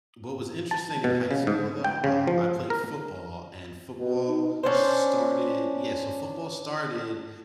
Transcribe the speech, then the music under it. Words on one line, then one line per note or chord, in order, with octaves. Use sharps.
what was interesting in high school though, um, I played football and football started yeah, so football started,
A5
B2
C#3
G#2
G5
C#3
F3
A#4
B2
D#4
C#4 D4 C5